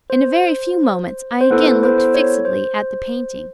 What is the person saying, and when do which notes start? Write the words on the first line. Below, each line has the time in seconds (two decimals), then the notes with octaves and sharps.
In a very few moments I again looked fixedly at the painting.
0.10 C5
1.41 C5
1.50 B3 E4 A4 B4
1.66 B4
1.83 C5
1.98 C5
2.14 C#5
2.45 C5